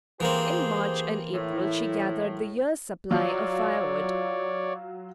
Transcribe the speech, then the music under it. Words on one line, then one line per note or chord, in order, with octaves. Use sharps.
In March and April she gathered the year's supply of firewood.
E3 A#3 C4 G4 G#4 C5
A2 E4
F#3 F4 C#5 D5